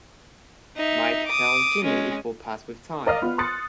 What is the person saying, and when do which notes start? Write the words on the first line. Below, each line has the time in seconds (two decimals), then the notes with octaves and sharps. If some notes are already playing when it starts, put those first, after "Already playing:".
Mike tells Jimmy it will pass with time.
0.76 D#4 E5
1.27 D6 D#6
1.84 G#3 C#4
3.06 A#4 D5 D#5 F5 F6
3.22 B3 F4
3.38 C6 D#6 F#6 A6 C#7